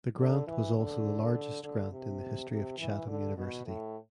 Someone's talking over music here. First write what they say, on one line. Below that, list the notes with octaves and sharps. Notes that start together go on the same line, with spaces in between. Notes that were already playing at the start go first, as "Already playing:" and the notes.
The grant was also the largest grant in the history of Chatham University.
D3
E3
D3
D3
C3
C3
E3
D3
B2
A2